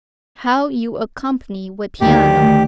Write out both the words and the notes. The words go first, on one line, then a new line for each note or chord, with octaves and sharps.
"How you accompany with piano?"
D2 D#3 G4